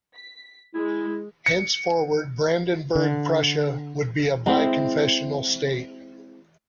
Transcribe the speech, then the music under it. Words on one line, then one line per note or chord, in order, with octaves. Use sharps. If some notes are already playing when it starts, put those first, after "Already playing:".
Henceforward, Brandenburg-Prussia would be a bi-confessional state.
B6
G#3 E4
C#7
D3
G#3 C4 E4